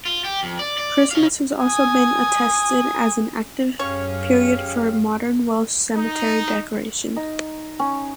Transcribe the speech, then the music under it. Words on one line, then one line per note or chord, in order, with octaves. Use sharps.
Christmas has also been attested as an active period for modern Welsh cemetery decoration.
F4
G4
F2
D5
D5
C#4 F5
G#5 D#6
F#2 C#4 G4 G#4 C#5 F5
D#4
D#4
C#4